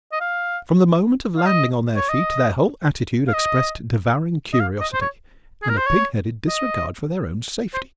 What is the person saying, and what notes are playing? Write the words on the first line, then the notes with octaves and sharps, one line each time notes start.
From the moment of landing on their feet their whole attitude expressed devouring curiosity and a pig-headed disregard for their own safety.
D#5
F5
F5
D#5
C#5
D#5
F5
D#5
D#5
F5
D#5
C5
C#5
G#4
A#4
C5
C#5
D#5
C5